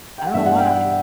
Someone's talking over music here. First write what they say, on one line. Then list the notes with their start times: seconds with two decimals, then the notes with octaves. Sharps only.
I don't know why,
0.18 G5
0.26 F#5
0.34 G2 E3 B3 D4 E5
0.46 F#5
0.59 G5
0.71 F#5